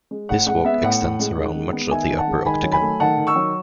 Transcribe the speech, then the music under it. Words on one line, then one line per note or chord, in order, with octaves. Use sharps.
This walk extends around much of the upper Octagon.
G#3
A2 F#5
G#3 F#5
B3 E5
A2 F#5
A2
G#3
D#3
G#3
B3
D#3 E5 G#5
D#3
F#5 A5
G#3
D#3 G#5 B5
F#3
G#5 B5
A3
D#3 F#5 A5
D#3
C#6 E6
F#3